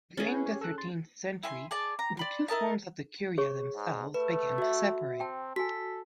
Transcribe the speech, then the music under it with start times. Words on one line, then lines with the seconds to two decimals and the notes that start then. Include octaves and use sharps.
During the thirteenth century the two forms of the "curia" themselves began to separate.
0.17 C#4 G#4 A6
0.32 E4 B4
0.46 G4 C#5
0.61 A4 A5 F#6
0.78 C6 A6
1.43 E4 G#5 C6
1.71 G#4 D5 A5
1.99 A#5
2.17 D5 B5 C6
2.48 E4 A#4 D#5 A5
3.38 G#4 C#5 C#6
3.76 G#2
4.14 A3 B4
4.58 F#4 E5
5.20 C4 G5 A5
5.56 F#4 A4 G#5 B6